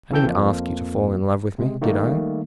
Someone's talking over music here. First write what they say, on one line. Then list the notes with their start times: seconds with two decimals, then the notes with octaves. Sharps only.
I didn't ask you to fall in love with me, did I?
0.11 C#3 E3 A4 G5 G6
0.26 F2 F3 A#3
1.58 C3 G#3
1.81 D#3 G3 A3 A#3 D#4